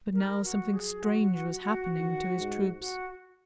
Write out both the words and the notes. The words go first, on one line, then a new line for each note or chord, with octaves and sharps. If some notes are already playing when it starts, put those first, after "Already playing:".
But now something strange was happening to his troops.
G#2 A#4
F#3 F#4
F#3 G#4
F#4
F#4
F#4
D#3
G#2
F#4